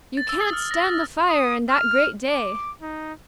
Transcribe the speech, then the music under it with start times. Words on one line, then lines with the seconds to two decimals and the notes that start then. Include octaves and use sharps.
"You can't stand the fire In that great day!"
0.17 A6
0.29 E6
0.42 D#6
0.53 F6
0.71 A#6
0.86 A6
1.29 D#6
1.70 F6
2.31 D6
2.82 D#4